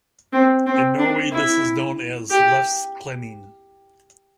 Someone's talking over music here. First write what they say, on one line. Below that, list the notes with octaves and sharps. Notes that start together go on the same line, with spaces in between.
In Norway, this is known as "lefse-klenning".
C4
C4
D4
E4
G4